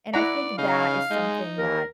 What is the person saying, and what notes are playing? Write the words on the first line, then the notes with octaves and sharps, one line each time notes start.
and I think that is something that
E4 D5 F#5 A#5
C#3 D#4 F5
G#3 D#4
D#2 A#4